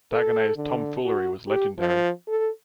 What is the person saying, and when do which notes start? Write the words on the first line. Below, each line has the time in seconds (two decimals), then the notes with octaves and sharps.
Dagonet’s tom-foolery was legendary.
0.13 A4
0.57 D3
1.05 F#4
1.47 G4
1.78 F3
2.28 A4